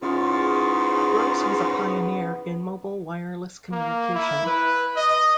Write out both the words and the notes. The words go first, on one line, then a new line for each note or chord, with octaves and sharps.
Gross was a pioneer in mobile wireless communication.
G#2 C#3 B3 C#4 E4 F4
A#3
E4
B4
D#5